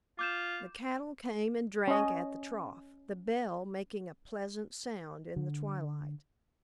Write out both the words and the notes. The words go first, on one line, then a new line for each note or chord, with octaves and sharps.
The cattle came and drank at the trough, the bell making a pleasant sound in the twilight.
F4 D6 G6 E7
C#4 D#5
D3